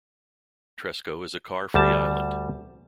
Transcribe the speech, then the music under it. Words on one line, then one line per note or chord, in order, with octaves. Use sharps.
Tresco is a car-free island.
D2 G3 A5